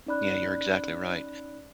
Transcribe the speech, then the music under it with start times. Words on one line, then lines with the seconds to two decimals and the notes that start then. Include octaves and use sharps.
Yeah, you're exactly right.
0.06 C#4 D#4 D5 B5 F#6